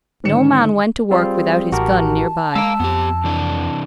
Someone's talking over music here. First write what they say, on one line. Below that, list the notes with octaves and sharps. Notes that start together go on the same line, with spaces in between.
No man went to work without his gun near by.
G#2 D3 D#3 C#4 C#7 E7
G3 C4 F4 G#4
A1 F#4 G4 A#4 A5
G#3 F5 A#5 E6
F2 B3 G4
C3 E3 D4